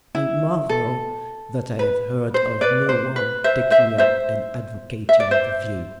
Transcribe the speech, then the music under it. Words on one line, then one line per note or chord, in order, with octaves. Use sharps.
I marvel that I have heard of no one taking up and advocating the view.
E4
A4
B4
C5
B4 D5
C5
B4
C5 E5
C5 E5
C5 E5
E5
D5
C5 E5